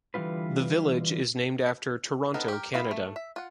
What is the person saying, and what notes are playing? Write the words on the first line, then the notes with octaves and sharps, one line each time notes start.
The village is named after Toronto, Canada.
D3 E3 G3 B3 F4 B4
B3 C4 D#4 A4 A#4
G4 A#4
B3 E4 F4 F5 B5
A3
E5
F4 F#5